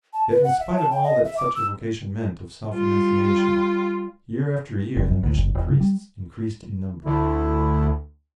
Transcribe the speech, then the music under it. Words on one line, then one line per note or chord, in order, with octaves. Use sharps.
Yet, in spite of all that such a vocation meant of self-renunciation, year after year the Mission Priests increased in number.
A5
B4
F#5
E5
A5
G5
D#5
E5
D6
E6
G3 F4
F1
F#2
D2
F#1
E1
C#3
G3
D2 A3 E4